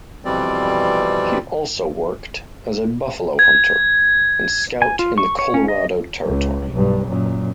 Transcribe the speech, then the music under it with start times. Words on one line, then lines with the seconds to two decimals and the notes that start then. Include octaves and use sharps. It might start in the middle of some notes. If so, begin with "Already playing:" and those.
He also worked as a buffalo hunter and scout in the Colorado Territory.
0.25 F2 B2 E3 G3 C4 D5
3.39 G#6
4.82 G#5
4.99 F4
5.18 C#6
5.39 C#5
5.54 C#4
5.68 D#5
6.25 C#2
6.72 B1 G2
7.06 F#2 A#2